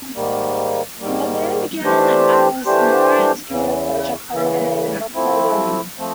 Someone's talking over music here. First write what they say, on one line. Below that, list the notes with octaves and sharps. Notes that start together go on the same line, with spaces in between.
The band began as Merritt's studio project under the name Buffalo Rome.
G#2 D#3 G3 A#3
G#2 D#3 G3 A#3
E3 A3 D4 G4 C5
E3 A3 D4 G4 C5
E2 C#3 E3
E2 C#3 E3
F3 A3 C4 E4
F3 A3 C4